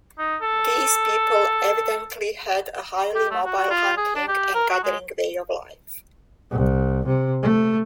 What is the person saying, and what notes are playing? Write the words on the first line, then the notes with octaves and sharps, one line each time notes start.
These people evidently had a highly mobile hunting and gathering way of life.
D#4
A4
G4
A3
F#4
F#4
F4
G#4
D4
G4
A#4
F#4
G#3
C2
C3
A3